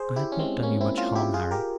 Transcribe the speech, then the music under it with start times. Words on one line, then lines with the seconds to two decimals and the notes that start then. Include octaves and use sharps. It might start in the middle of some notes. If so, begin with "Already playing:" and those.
I had not done you much harm, Harry.
Already playing: G#4 C5
0.16 E4 G4
0.32 C#4
0.39 G#3 C4
0.63 A#3 C#4
0.81 C4 E4
0.98 C#4 F4
1.15 E4 G4
1.34 F4 G#4
1.51 G4 A#4